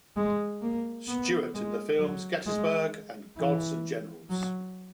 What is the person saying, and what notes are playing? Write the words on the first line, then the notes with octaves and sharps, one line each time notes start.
Stuart in the films "Gettysburg" and "Gods and Generals".
G#3
A#3
B3
G#3
F#3
G#3
E3
F#3